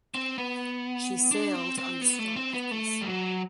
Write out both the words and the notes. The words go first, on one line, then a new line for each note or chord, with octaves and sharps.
She sailed on the "Star of Peace".
C4
B3
D4
C4
C4
B3
A3
C4
B3
A3
G3
F#3